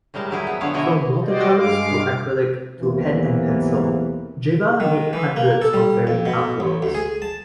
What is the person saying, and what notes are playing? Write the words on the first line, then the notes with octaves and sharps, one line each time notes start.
From watercolors to acrylic to pen and pencil, Geva made hundreds of varied artworks.
A2 G3 G#3 A#4 A5
F#3 E4 G#4 G5
B3
D3 F3 B3 C#5 F5 F#5
B2 D3 E4 C#5 D#5 E5
F#4 G4 C5 D5 D#5
G2 G#3 F5 D6
B1 E2 C3 E3 A#3 B3
D#3
E3
A#3
A4
G3
F2
B2
A1
D2
G#4
A5